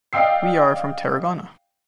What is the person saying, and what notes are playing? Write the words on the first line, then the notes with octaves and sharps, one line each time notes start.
We are from Tarragona.
D5 D#5 F5 G5 E6 C7